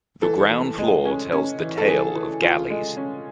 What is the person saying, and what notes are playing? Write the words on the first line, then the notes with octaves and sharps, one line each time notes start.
The ground floor tells the tale of galleys.
E3 A4
E3
G#3
C#4
C#4
E3
A4
E3 G#4
E3
E3 F4
G#3
C#4